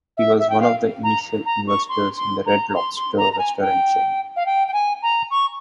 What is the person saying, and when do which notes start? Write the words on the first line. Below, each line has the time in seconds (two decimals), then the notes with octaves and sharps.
He was one of the initial investors in the Red Lobster restaurant chain.
0.17 E5
0.39 E5
0.50 G5
0.60 F5
1.04 A#5
1.46 A#5
1.67 C#6
1.89 C6
2.17 C6
2.46 A#5
2.69 A#5
2.75 C6
2.96 C6
3.17 A#5
3.33 A#5
3.39 G#5
3.61 G5
4.36 F5
4.46 G5
4.68 G5
4.73 G#5
5.02 A#5
5.31 C#6